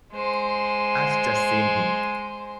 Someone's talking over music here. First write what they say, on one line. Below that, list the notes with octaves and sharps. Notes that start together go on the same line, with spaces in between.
I’ve just seen him.
G#3 C5